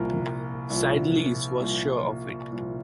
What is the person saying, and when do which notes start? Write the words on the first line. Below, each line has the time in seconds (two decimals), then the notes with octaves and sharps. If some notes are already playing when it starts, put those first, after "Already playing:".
Cydalise was sure of it.
Already playing: C2 A#2 F3 A#4
0.70 C2 A#2 F3
1.60 C2 A#2 F3
2.50 C2 A#2 F3